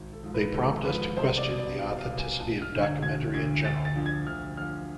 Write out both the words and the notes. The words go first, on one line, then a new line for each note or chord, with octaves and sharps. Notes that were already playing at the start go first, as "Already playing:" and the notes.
They prompt us to question the authenticity of documentary in general.
Already playing: G#1
A4
G#2 F3
B4
G#1 A4
G#2 F3 B4
C2 C5
D5
B2
D5
C2 F5
F5
B2
G#5
E1 A5
F6
D2 D3
G#6
E1 G#6
D2 D3 G#6
D2 A6
A6
D3 F3
G#6
D2 F6
D3 F3 F6